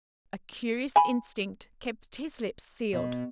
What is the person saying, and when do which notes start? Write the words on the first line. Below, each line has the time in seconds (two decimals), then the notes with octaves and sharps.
A curious instinct kept his lips sealed.
0.96 G#5 B5
2.93 B2